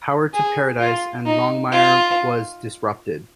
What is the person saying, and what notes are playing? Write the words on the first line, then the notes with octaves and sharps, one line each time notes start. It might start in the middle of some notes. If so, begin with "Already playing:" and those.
Power to Paradise and Longmire was disrupted.
G#4
F4
D#4
F4